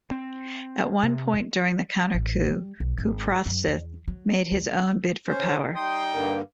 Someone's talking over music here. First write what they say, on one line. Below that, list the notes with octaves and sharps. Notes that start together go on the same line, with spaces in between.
At one point during the counter-coup, Kouprasith made his own bid for power.
C4
C3
A1
G3
B1
G#1
F#2
E2
F#3
D2
C#4 C5
G3 D#4 G5 C6 D#6
G2 D3 A#3